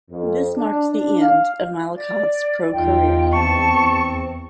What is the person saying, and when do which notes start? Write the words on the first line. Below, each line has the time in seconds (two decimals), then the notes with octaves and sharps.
This marked the end of Malakhov's pro career.
0.11 F2
0.56 D4
0.92 D4
1.20 F5
1.95 D5
2.73 E2 D#4 F4 G5
3.32 C4 A5 C#6